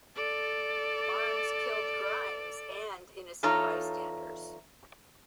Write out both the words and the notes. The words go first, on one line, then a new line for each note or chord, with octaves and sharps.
Barnes killed Grimes and innocent bystanders.
A4 D5
E2 D#4 F4 A4 C#5 A#5